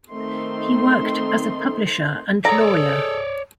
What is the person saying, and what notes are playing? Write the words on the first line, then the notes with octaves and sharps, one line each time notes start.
He worked as a publisher and lawyer.
D#3 A3 C4 D#4 C6
G#4 A4 C#5 D5 A#5